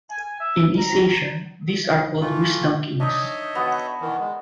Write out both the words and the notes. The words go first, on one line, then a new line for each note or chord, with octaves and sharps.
In East Asia, these are called Wisdom Kings.
G#5
E5
A#5
E3 A3 F4
D4 D#4 C#5 D#5 E5
B3 F#4
D#3 E3
G#3